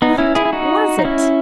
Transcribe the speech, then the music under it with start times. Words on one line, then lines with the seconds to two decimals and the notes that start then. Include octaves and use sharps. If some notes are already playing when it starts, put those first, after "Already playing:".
What was it?
0.02 B3 D#4
0.18 C#4 E4
0.35 E4 G#4
0.45 E4
0.53 D#4 F#4
0.99 D#4
1.05 C#4 E4